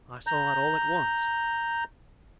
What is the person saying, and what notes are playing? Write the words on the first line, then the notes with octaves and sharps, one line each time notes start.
I saw it all at once.
A#5 G6